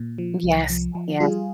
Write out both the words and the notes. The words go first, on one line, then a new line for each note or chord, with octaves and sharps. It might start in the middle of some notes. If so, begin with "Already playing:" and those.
Yes, yes.
Already playing: A#2
F3
C2
F3
F3
G3 F4 G#4